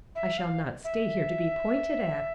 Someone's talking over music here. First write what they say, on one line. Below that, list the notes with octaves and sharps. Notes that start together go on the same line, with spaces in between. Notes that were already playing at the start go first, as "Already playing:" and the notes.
I shall not stay here to be pointed at.
E5
F5
E5